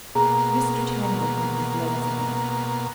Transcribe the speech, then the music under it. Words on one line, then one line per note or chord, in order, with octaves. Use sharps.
Mr. Tangle on his legs again.
B2 A#3 G#4 A#5